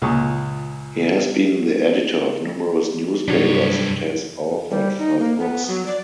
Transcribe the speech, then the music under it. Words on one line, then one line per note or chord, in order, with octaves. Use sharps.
He has been the editor of numerous newspapers and has authored five books.
C#2 A#2 G#4 C#6 D#6
G2 C3 F#3 D4 C#5
G3
D#4
A#3
B3
F#3
D5